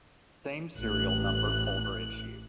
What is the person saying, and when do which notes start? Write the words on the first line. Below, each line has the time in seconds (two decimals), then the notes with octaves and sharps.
Same-serial numbered folder issue.
0.77 A1 F#6